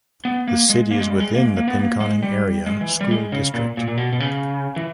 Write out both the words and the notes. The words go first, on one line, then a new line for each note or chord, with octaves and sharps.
The city is within the Pinconning Area School District.
B3
A#3
G#3
A#3
G#3
G3
G#3
A#3
G#3
A#3
B3
A#3
G#3
G3
G#3
E3
G3
G#3
C#3
A#2
A#2
A#2
B2
B2
C#3
E3